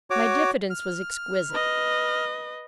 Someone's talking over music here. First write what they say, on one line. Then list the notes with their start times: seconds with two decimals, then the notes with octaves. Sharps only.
My diffidence was exquisite.
0.10 F#4 C#5 D6
0.70 F6
1.51 B4 D#5